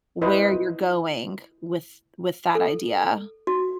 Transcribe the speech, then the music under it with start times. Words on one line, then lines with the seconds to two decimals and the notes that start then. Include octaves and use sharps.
where you're going with with that idea.
0.22 E4 B4 C5 D#5
2.55 A4
3.47 F#4